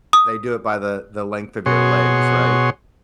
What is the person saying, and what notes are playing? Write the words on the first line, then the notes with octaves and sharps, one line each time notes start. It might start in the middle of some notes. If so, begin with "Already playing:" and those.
they do it by the the length of your legs, right?
D#6
B2 F#4 G#4 C#5 C6